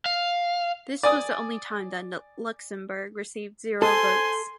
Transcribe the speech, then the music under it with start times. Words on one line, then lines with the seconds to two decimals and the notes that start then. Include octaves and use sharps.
This was the only time that Luxembourg received zero votes.
0.06 F5
1.03 D5 G#5 D#6
3.82 A4 C5 G#5 C6